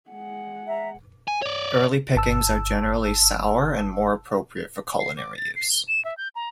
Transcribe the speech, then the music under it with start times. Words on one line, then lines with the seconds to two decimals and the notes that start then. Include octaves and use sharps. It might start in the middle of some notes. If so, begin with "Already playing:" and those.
Early pickings are generally sour and more appropriate for culinary use.
0.10 G#3 F#5
0.67 E5 A#5
1.28 G#5
1.42 C#5 D5
2.16 G1 A5 E6
5.00 C7
5.17 D6
5.37 A6
5.56 C7
5.71 G7
5.88 E7
6.05 E5
6.17 G6
6.35 A#5